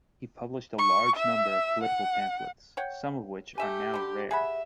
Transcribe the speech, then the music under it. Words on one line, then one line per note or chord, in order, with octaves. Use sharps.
He published a large number of political pamphlets, some of which are now rare.
C#6
E5
F#5
C#5 F#5 G5
A3 G4 E5 G#5
D3 G3
G#4 E5 F#5 B5